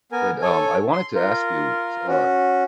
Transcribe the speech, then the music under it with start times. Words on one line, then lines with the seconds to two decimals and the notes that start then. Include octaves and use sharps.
But, um, I wanted to ask you, s uh,
0.12 B3 A#4 G#5
0.42 A4 C#5 G#5
0.92 C6
1.15 F4 A#4
2.07 C#4 F#4